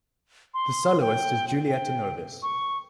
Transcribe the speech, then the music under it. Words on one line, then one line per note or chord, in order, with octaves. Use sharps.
The soloist is Julietta Novis.
C6
G5
G5
G5
C#6